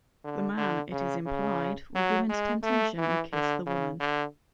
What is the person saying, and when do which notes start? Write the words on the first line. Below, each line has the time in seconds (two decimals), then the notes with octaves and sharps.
The man, it is implied, will give in to temptation and kiss the woman.
0.24 D3
0.57 D3
0.91 C#3
1.26 C#3
1.95 F#3
2.29 G#3
2.63 A3
2.98 E3
3.32 D3
3.66 C#3
4.00 D3